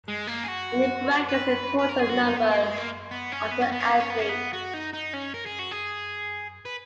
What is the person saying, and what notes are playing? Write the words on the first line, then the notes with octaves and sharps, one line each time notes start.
In the brackets are the total numbers of the athletes.
G#3
A#3
G#4
F#4
B4
B4
A#4
G#4
F#4
D#4
B3
A#3
G#3
A#3
B3
C#4
B3
C#4
B3
C#4
B3
C#4
B3
C#4
B3
F#4
D#4
D#4
C#4
A#4
G#4
F#4
G#4
B4